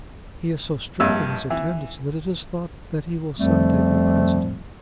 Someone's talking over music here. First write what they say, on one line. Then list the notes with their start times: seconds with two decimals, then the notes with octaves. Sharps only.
He is so strict in his attendance that it is thought that he will some day be president.
1.00 A#1 G2 E6
1.50 E3
3.39 F2 F3 G3 A3 C4